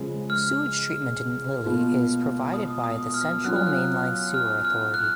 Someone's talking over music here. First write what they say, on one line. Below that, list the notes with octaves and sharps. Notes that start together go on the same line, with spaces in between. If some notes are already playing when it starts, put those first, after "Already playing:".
Sewage treatment in Lilly is provided by the Central Mainline Sewer Authority.
Already playing: C#3 F3 G#3
F6
B2 A#3 F4
D#6
D#6
F6
F#3 C#4 F4 F#6
F6
F#6
F6
F6
F#6